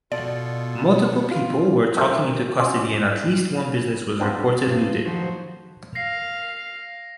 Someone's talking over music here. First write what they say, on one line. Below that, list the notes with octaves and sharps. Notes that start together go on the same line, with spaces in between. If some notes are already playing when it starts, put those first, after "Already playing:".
Multiple people were taking into custody and at least one business was reported looted.
B2 F4 A4 D5
F4
C3 D#3 F3 G3 A3 A#3
C#4 F#4 C5 D5
F3 G3 B3 C4 D4
G2 G#3 C4
D#3 F3 F#3 C5
F5 A#6 C7